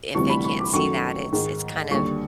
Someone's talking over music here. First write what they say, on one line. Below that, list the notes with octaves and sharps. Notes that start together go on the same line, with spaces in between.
if they can't see that, it's it's kind of
D2 C3 E3 G3 C#6
B5
C#6
D6
F#2 D#3 F#3 A3 C#6
G#2 D#3 G#3
D#2 D3 G3 C#6